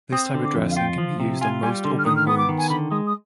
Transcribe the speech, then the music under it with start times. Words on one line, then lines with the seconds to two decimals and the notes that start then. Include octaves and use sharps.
This type of dressing can be used on most open wounds.
0.12 C4 D#6
0.34 D3
0.45 D6
0.56 F2
0.71 F5
0.77 F4 G5
0.98 F3
1.20 C3
1.41 F4 G#5
1.63 G3 G#5
1.85 D3 C6
1.98 F6
2.05 D#3 D#6
2.16 F6
2.27 B3 D#6
2.38 D6
2.49 D#3
2.58 G#5
2.69 D3 B5
2.91 G#3 D#6
3.06 D#6